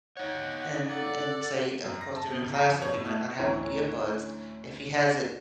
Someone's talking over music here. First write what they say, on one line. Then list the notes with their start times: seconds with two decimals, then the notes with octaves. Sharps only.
and and say of course, they're in class, so he might not have on earbuds. If he has it
0.17 D#4 C#5 F#5
0.89 A4 D5 F#5
1.84 F#2
2.01 A#6
2.16 A5
2.30 B2
2.42 C#2
2.55 A#5
2.69 F3
2.82 C#5
2.94 A2
3.05 A3
3.39 D2 A2 E3 C#4 C#5 A#5